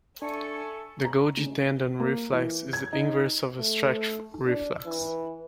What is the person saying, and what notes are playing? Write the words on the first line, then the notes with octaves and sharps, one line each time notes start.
The Golgi tendon reflex is the inverse of a stretch reflex.
D4 A4 E5 G#5 C#6
A#5
C#3
A#3
E3
G#6
D#4
A3
D4
E3